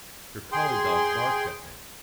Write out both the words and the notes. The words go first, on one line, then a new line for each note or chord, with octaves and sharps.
Your collie dog barked at me.
G#4 G5 C6